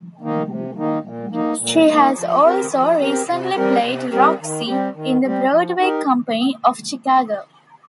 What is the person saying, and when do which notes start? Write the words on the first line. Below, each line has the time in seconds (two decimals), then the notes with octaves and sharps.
She has also recently played Roxie in the Broadway company of "Chicago".
0.21 D#3 A#3 D#4
0.48 C3
0.76 D#3 A#3 D#4
1.03 A#2
1.31 A#3 D#4
1.59 A#2
1.88 A#3 D#4
2.16 F3
2.44 C4 G4 A#4
2.72 F3
2.99 C4 G4 A#4
3.27 C3
3.56 G3 C4 G4 A#4
3.83 C3
4.11 G3 C4 G4 A#4
4.39 D#3
4.67 G3 C4 G4
4.95 D#3
5.23 G3 C4 G4
5.51 F3
5.79 D#4 G4 A#4